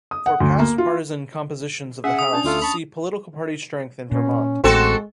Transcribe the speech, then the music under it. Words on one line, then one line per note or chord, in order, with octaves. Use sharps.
For past partisan compositions of the House see Political party strength in Vermont.
D#6
F#5
D2
A#3
F4
C#4 G#4 E5 F#5
D#6
C#4 D4 D5 A5
D2 A3 F4 A4
A5 B5 C#6
A#2 C#4
A1 G#3 C4 F#4 A4